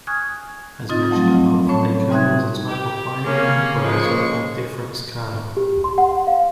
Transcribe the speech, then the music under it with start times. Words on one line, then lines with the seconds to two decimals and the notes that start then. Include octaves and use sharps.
As mentioned above, a kernel is a type of binary equaliser, or difference kernel.
0.07 G#5 C#6 D#6 F6 F#6 G#6
0.89 C4 D#4 F4 D#5 A6
1.10 F3 F#3 A3 C4
1.28 C4
1.67 A2 C#4 C#5 A5 B5
2.10 G3 C4 D#4 E5 F#6 G#6
2.68 G4
3.24 C#3 A#3 C#4
3.83 F3 G#3 A#3 C#6
5.57 G4
5.84 C6
5.98 F#5
6.27 F5